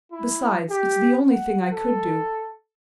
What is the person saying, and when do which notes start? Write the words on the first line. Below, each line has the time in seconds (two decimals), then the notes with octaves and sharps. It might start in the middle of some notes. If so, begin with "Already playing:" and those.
Besides, it's the only thing I could do.
0.12 E4
0.70 G4
1.31 F#5
1.72 A4